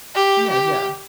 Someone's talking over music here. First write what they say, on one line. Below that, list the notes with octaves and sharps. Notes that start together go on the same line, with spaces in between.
Yeah, yeah.
G4
G4